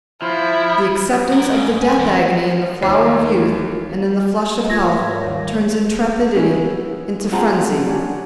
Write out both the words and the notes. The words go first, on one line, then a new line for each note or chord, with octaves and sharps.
The acceptance of the death agony in the flower of youth and in the flush of health turns intrepidity into frenzy.
F3 E4
F#3 A#4
G#2
G#5
E2
D#2 C#5
F4 G#6 A#6
G#2 A#3 C#5 E5
A#4 D5
D#2 G3 F5
G#3 B3 C#4 E4
C4 F4 G#4 F#5 A5 A#5
C#4 D4 G4 F#5